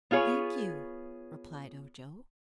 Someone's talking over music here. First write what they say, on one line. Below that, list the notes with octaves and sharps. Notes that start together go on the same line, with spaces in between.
"Thank you," replied Ojo.
B3 F4 G#4 C#5